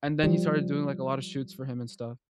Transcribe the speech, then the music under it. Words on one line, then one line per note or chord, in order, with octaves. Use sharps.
and then he started doing, like, a lot of shoots for him and stuff,
F3 G3